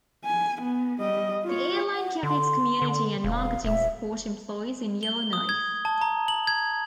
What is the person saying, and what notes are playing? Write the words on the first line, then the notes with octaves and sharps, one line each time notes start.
The airline kept its community and marketing support employees in Yellowknife.
G#5
B3
G3 D#5
F4 C#5
F#5
D3 C6
D3
E1 F5
D#1 E5
G7
D#6
G#6
A5
A#5
F#7
G#6